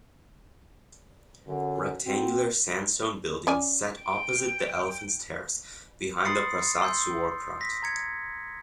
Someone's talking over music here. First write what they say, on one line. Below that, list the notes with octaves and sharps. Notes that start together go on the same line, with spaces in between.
Rectangular sandstone buildings set opposite the Elephants Terrace, behind the Prasat Suor Prat.
F#2 D3
C4 F#4
C#4 D5 G#5
G5
B5 C6 D#6 A6 C7 C#7
C6 E6 G6
A#6 B6
A#5 G#6 C#7